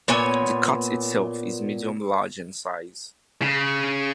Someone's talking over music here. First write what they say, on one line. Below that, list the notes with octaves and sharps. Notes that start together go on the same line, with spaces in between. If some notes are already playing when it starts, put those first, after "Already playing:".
The cat itself is medium-large in size.
A#2 B3 C#5 G#5
C#3